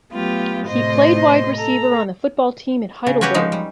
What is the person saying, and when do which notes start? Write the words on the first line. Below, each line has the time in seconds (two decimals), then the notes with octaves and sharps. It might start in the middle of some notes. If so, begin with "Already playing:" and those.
He played wide receiver on the football team at Heidelberg.
0.13 F#3 A3 B3 F4 G4
0.68 A2 C3 C5 D#5 C6
1.57 A4 A#5
3.06 C#3
3.21 C#4 F#4 G4 B4 C#5
3.34 F3 G#3 D#4
3.52 G3